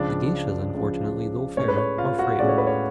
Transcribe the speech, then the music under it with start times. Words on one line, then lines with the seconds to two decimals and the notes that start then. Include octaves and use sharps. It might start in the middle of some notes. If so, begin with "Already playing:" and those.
The geishas unfortunately, though fair, are frail.
Already playing: C#2 C#3 F3 D4 D5
0.74 C#2 C#3 F3
1.57 A2 G#3 C#4 C#5
1.68 B4
1.77 C#5
1.98 F4 F5
2.19 F#4 F#5
2.39 A2 G#3 C#4 D5
2.49 C#5
2.58 B4
2.67 C#5